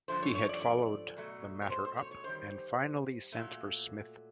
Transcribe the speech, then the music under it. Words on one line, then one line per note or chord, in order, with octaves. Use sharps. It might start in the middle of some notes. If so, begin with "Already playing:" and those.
He had followed the matter up and finally sent for Smith.
G2 D3 F3 A3 C5
C#5
C#5
D5
D5
B2 F#3 A3
C#5
C5
C5
C#5
C#5
F#2 D#3 G3 C5
A#2 F#3 A3